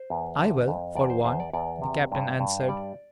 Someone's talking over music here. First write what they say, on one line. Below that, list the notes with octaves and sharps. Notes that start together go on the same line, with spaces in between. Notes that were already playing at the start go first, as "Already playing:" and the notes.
"I will, for one," the Captain answered.
Already playing: C5
E2
D3
F2
E2 D5
C5
E2 C5
D5
E2 D5
C3
G2
G2
C5
G3 D5